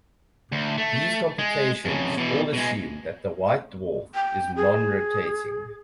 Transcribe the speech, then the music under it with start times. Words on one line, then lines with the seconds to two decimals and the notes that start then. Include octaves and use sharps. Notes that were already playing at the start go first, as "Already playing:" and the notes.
These computations all assume that the white dwarf is non-rotating.
0.52 D2
0.78 A3
1.39 G#3
1.85 F2 C#3
2.17 B2 E3
2.53 B2 G#3
4.15 G5
4.57 G#4